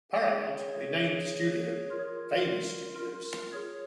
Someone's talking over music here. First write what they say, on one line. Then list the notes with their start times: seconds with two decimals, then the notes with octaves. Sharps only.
Paramount renamed the studio Famous Studios.
0.28 G#4 C#5
1.91 F4 A#4
2.99 F4 A#4
3.52 G#4 C#5